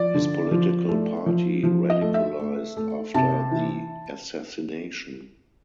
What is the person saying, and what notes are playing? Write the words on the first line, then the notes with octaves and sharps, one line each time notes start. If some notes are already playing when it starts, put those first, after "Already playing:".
His political party radicalised after the assassination.
Already playing: F3 D5
D3
F3
A3
F3
F3
D#5
A3
E5
A3
A3
C3 A5
E3